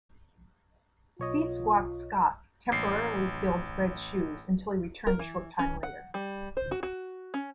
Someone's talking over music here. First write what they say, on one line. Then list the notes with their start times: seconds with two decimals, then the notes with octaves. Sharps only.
C Squat's Scott temporarily filled Fred's shoes until he returned a short time later.
1.19 B1 F4 C#5 D#5
2.72 A1 C7
5.07 A#4
5.19 E3
5.59 C#4
5.83 F#5
6.14 G3
6.57 C5
6.71 F#4
6.83 F#4
7.34 C#4